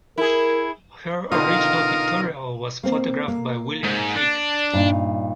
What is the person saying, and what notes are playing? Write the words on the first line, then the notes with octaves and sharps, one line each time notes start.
Her original pictorial was photographed by William Figge.
E4 G#4 A#4
B2 D3 C4 D#4 F4 A#4 F5 D#6
A#3 C4
A#3
G#2
D4
G2 A#2 D#4